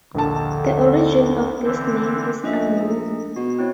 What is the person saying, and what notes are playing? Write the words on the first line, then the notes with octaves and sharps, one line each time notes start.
The origin of this name is unknown.
A#1 D#2 D3 A5
D3 E3 C4
A#1 C#4 D#5 E5
D#4 G#4
B2 F#4
C4 E4 C#5